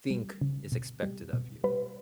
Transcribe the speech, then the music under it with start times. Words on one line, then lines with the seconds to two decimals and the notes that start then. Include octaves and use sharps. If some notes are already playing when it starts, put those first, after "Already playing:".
think is expected of you.
0.11 G3
0.41 C#3
0.72 B2
1.03 G3
1.33 B2
1.64 G3 B4